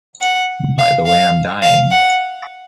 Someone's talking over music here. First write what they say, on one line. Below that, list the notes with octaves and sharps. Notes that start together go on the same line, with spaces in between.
By the way I’m dying.
F#5
F5
F5
F5
F#5